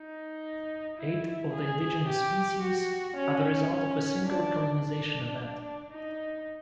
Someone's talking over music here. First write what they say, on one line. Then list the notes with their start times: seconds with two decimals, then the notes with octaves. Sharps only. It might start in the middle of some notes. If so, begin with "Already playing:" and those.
Eight of the indigenous species are the result of a single colonization event.
Already playing: D#4
0.98 E4
1.52 G#4
2.07 G4
2.62 F#4
3.16 C#4
3.71 C#4
4.26 D4
4.82 D4
5.91 D#4